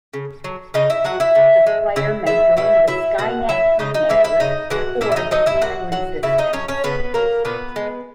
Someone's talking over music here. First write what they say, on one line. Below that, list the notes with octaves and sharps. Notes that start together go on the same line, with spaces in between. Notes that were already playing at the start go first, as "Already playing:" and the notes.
The player may join the Skynet terminators or the human resistance.
C#3
F#3
C#3 D#4 D#5
E4 E5
F#3 F#4 F#5
E4 E5
C#3
G#3
C#3 E4 E5
G#3 E4 E5
B2 E4 E5
F#3 E4 E5
B2 F#4 F#5
F#3 E4 E5
C#3 D#4 D#5
D#4 D#5
E3 G#3 E4 E5
E4 E5
C#3 D#4 D#5
E3 G#3 F#4 F#5
A#2 E4 E5
E5
D#4 D#5
F#3 D#4 D#5
E4 E5
A#2 F#4 F#5
F#3 F#4 F#5
C#3 E4 E5
D#4 D#5
F#3 C#4 C#5
C#4 C#5
C#3 B3 B4
F#3 A#3 A#4
A#2 B3 B4
G#3